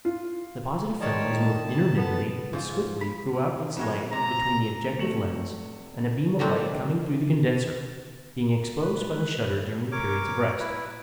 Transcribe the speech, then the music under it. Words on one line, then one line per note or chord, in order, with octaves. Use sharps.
The positive film is moved intermittently but swiftly throughout its length between the objective lens and a beam of light coming through the condenser, being exposed by the shutter during the periods of rest.
F4
D#3 C#5 D5 A5
A5
C3
B3 A4
G#2 F3 F4
B5
F2 F#3 G#3
C3 A#5
F1 A3 C#7 E7 F#7
D3 F#3 A#3 C4 D4
B4
A#4 C#5 D6
E4 B4